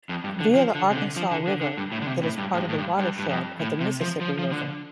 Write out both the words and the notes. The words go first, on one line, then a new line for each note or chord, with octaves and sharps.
Via the Arkansas River, it is part of the watershed of the Mississippi River.
F2
G2
D3
F3
D3
C3
D3
F3
D3
D3
D3
G2
A2
D3
C3
A2
G2
A2
G2
A2
G2
G2
G2
F2
A2
C3
F3
F3
F3
D3